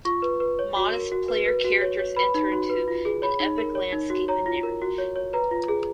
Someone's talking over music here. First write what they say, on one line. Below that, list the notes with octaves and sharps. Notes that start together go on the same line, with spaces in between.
Modest player characters enter into an epic landscape and narrative.
F4 C#6
B4
B4
C#5
F#4
A#4
F#4
B4
B4
F#4
C#5
C#5
B4 B5
D#4
F#4
B4
F4
G#4
C#5 B5
D#4
A#4
C#5
D#4
F#4
C#5 A#5
F4
A#4
F#4
C#5
C#5
B4 A#5
F4
G#4